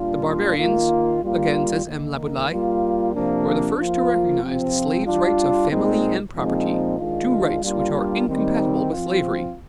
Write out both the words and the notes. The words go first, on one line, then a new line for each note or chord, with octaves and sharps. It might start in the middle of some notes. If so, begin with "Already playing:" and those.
"The Barbarians," again says M. Laboulaye, "were the first to recognize the slave's rights of family and property,--two rights which are incompatible with slavery."
Already playing: A#2 G3 D4 F4
D#3 A#3 F4
G3 A#3 F4
D#3 A#3 D#4
G3 A#3 F4
C3 F3 A#3 D4
F3 A#3 F4
C3 F3 C4 F4
G3 D4 F4
A#2 G#3 C4 D#4
A#2 F3 G#3 C4 D#4
D#3 G#3 D4 F4
G3 A#3 D4 F4
D#3 G3 C4 D#4
F3 C4 F4